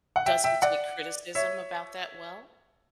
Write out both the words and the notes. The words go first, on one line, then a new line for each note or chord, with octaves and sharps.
Does he take criticism about that well?
F#5
E5 G5
E5 G5
D5 F#5
C#5 E5